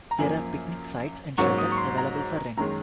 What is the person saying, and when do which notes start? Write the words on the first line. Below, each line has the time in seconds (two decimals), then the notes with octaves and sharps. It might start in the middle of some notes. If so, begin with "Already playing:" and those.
There are picnic sites and shelters available for rent.
0.11 A#5
0.19 F#2 F3 A#3 G#5
1.38 G#2 F#3 A#3 C#4 C#6
1.58 D#6
1.71 C#6
1.77 C6
1.97 A#5
2.57 F#2 D#3 G#3 C#4 A#5